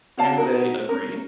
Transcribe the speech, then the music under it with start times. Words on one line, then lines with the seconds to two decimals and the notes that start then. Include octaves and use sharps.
Do they agree?
0.17 F#4 C#5 F5 A5
0.38 D#4 F#4 A#4
0.89 C#4 A#4